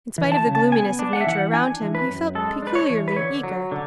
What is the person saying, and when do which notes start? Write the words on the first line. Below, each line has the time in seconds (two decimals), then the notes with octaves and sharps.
In spite of the gloominess of nature around him, he felt peculiarly eager.
0.18 E3
0.32 A5
0.46 C#3
0.55 A5
0.72 B3 G#5
0.99 D4
1.13 F#5
1.21 E5
1.27 E3 F#5
1.53 D4 G#5
1.81 E3
1.95 B4
2.09 F#2
2.35 G#3 A4
2.62 D4 B4
2.75 C#5
2.90 E3
3.08 B4
3.16 D3 C#5
3.44 F#3
3.72 D3